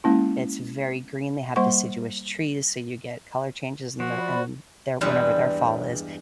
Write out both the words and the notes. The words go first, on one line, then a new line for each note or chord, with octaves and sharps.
It's very green, they have deciduous trees, so you get color changes in their in their whenever their fall is.
G#3 A#3 C#4 E4
G3 A#3 C5 F#5 C6 C#6
F3 F#4
C5 D5 B5
E2 G2 G3 G#3 B4